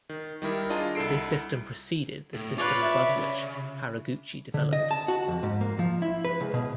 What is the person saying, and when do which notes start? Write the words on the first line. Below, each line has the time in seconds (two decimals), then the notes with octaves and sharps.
This system preceded the system above which Haraguchi developed.
0.09 D#3
0.42 D#3 G3 E4 A#4
0.70 D4 F4 G#4 D#5 A5 A#5
0.95 C2 E4 A4 C7 D7
2.35 A2
2.58 F4 B4 C#5 D5
2.82 E5
3.09 C#3
4.54 D3
4.73 D#5
4.91 A5
5.08 F#4
5.28 F2
5.43 G#2
5.61 A#3
5.79 F3
6.02 E4
6.25 B4
6.40 C#2
6.54 B2